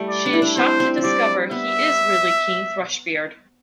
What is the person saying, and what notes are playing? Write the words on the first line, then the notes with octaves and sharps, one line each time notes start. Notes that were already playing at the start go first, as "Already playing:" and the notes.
She is shocked to discover he is really King Thrushbeard.
Already playing: G3 A3
D5
D4
E4
D4
C4 C5
C4
F3
G3 D5
B3 E5